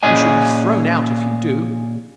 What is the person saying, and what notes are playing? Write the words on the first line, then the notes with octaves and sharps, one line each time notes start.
We shall be thrown out if you do!
A#2 C#4 G#4 D#5 G#5